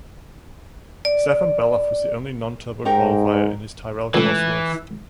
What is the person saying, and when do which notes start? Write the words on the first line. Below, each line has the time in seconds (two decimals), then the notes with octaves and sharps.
Stefan Bellof was the only non-turbo qualifier in his Tyrrell-Cosworth.
1.05 D5
2.85 G#2 D#4 G4 A#4
4.14 C#2 A2 E3